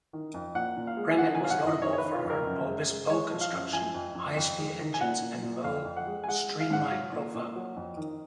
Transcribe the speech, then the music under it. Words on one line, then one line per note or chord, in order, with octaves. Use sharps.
"Bremen" was notable for her bulbous bow construction, high-speed engines, and low, streamlined profile.
D#3
F2
A#2 F#5
A#2
F5
G#3
G#5
D#3 F#5
G#5
F#3 F5
F#5
F#2
D#5
D#3 C#5
C#5
B4
D#3
F4
F2
A#4
F#2
G#3
G#3
G#3 C#5
F3
F5
F#2
F3 G#5
F2
F2
F2
G#3
D#3
G#5
A#2 F#5
A#2
A#2
F2 F5
F2
F#5
G#3
G#5
G#3 F#5
G#3
F5
G#2 F#5
F5
F#3
A#2
A#2
F#3
F2
D#3